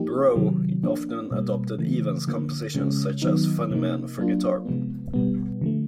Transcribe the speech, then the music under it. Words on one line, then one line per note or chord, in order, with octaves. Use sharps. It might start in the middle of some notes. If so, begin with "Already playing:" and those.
Breau often adapted Evans's compositions, such as "Funny Man", for guitar.
Already playing: F3 A#3 D#4 G4
C3 D#3 F#3
F3 A#3 D4
B2 G3 A#3
C#3 E3 A3
D3 F3 A#3
C#3 F3 G#3 C#4
D#3 F#3 B3 D#4
C3 F3 A#3 D#4
F#3 A#3 D4 F4
C3 F3 G#3 B3
B2 G3 B3
D3 F3 A3